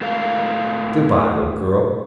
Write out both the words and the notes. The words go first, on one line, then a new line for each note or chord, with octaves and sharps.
'Goodbye, old girl.
A2 A4 A#4 F5